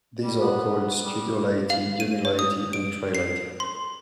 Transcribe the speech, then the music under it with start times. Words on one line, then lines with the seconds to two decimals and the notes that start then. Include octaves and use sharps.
These are called Studiolite, Unilite and Trilite.
0.24 G3
0.41 B3
1.05 G3
1.70 F5
2.00 D#7
2.25 C#5
2.39 D#6
2.73 D7
3.15 C7
3.60 C6